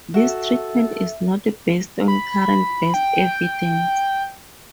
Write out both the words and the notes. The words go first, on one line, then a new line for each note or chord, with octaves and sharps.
This treatment is not based on current best evidence.
F#4 A4 E5
B5
G5